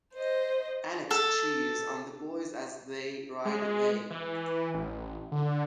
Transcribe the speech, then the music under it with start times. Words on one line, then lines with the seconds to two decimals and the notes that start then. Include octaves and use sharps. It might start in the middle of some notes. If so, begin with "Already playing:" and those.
Alex cheers on the boys as they ride away.
0.15 C5 D#5
1.11 A4
3.45 G#3
4.10 E3
4.74 A1
5.32 D3